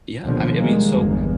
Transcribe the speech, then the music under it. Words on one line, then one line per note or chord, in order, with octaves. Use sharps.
Yeah, I mean I mean, so
D#2 B2 D3 F3
D#3 G3 G#3 A#3
G1 E2